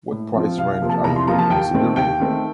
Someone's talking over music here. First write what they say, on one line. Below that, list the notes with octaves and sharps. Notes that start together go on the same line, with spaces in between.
What price range are you considering?
A2
F3 C4 F4
C2 F5
F5
C3 F3 A#3 F4
A5
C2 A#5
C6
C3 F3 A#3 F4 A#5
A5
D#2 G5
D#3 A3 C4
D#2 G5
D#3 A3 C4